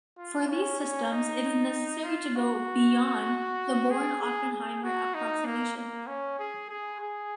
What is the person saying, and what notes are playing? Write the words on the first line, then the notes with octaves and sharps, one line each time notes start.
For these systems, it is necessary to go "beyond" the Born-Oppenheimer approximation.
F4
C#4
C#4
D#4
F4
F#4
G#4
G#4
G#4
F#4
D#4
A#3
A#3
C#4
G#4
G#4
G#4